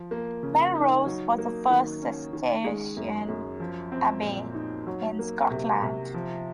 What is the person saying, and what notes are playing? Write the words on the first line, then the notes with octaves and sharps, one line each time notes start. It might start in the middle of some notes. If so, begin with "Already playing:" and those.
Melrose was the first Cistercian abbey in Scotland.
Already playing: F3
A#3
C#3
D#4
F#3
A#3
D#3
C#4
D#3
G#3
F#2
F#2
F3
C4
A#2
D#4
F#3
A#3
C3
C3
F3